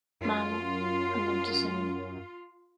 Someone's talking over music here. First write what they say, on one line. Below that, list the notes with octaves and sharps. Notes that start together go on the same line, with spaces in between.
Mama, I Want to Sing!
F#2 F4